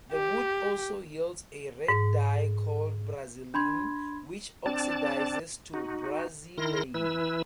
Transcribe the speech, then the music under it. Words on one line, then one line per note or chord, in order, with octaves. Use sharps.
The wood also yields a red dye called brazilin, which oxidizes to brazilein.
G4
G#2
D4 B5 C6 G#6
C4 D4 D5 A5
D#4 F#4
D#3 E4 A#4 C6 A#6
E3 E4 B4 E6